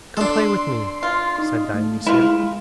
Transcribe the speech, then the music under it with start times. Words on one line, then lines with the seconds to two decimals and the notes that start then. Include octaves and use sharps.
"Come play with me," said Dionysia.
0.17 D4 A4 C6
1.03 F4
1.38 D#4
1.74 A3
2.07 G#3 E4 F4